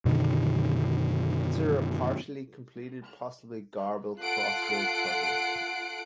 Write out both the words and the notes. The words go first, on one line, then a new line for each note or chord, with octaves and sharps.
Consider a partially completed, possibly garbled crossword puzzle.
F#2 B2 D3 D#3
F4 A4 F#5 F#6 C7 D7